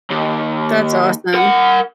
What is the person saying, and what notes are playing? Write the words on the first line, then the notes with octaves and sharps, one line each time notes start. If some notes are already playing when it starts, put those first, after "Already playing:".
That's awesome.
D#2
A#4 F#5